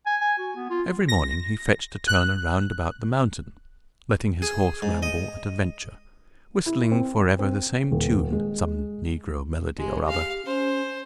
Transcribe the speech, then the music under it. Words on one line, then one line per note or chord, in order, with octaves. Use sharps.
Every morning he fetched a turn round about the mountain, letting his horse ramble at a venture, whistling forever the same tune, some negro melody or other.
G#5
G#5
F#4
B3
F4
A#6
F#6
G#4
G#2
D#5
E4
C4
C4
D#1
G#3
G#3 G4
F5
C#4 C5